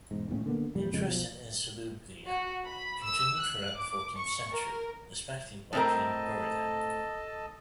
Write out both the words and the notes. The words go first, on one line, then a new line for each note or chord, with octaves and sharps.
Interest in "insolubilia" continued throughout the fourteenth century, especially by Jean Buridan.
E1 G#2
D#1 A2 A#3 C#4
D3 A#3 B3
F2 A#2 G3
F2 C#3 G#3
B1 F3
F#4
B5
E6
F#6
D6
C#6
A#4
A2 C4 A4 A#4 D#5 A5